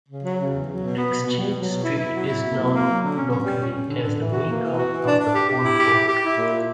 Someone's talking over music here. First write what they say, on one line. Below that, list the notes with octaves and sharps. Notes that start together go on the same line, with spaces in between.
Exchange Street is known locally as the main hub of the Old Port.
C#3
F#3
C#3
E2
F#3
B2
B3
B2
B2
B2
F#3
B2
E4
E4
F#3
E4
A#3
F#3
A#3
F#3
D3
C#4
C#4
G3
C#4
C#4
D3
D3
E3
F#4
A#3
E3
F#4
E3
D4
D4
G4
G4
E4
G4
E4
G4
E4
A#2